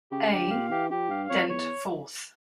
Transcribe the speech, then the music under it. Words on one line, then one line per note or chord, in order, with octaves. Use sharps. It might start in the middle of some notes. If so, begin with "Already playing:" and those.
A. Dent fourth.
C#3 G4
D3 G4
A#2 F5
E3 G4
F3 G4
G2 F5
F2 C#5
E2 C#5